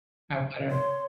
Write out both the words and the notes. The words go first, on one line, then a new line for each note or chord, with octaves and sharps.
I wanna
C#5 C6